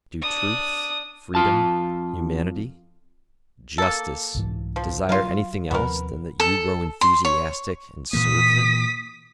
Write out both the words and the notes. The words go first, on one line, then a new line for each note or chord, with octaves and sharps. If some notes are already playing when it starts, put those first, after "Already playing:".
Do truth, freedom, humanity, justice, desire anything else than that you grow enthusiastic and serve them?
D4 D#6
F2 F4 A5
A#3 A4
C2 G#2 E3
F3
F#3 F4 A#4 F5
D#2 C3 F3 B3 A#4
A4
C6
C#5
A#2 E3 A#3 D#6 B6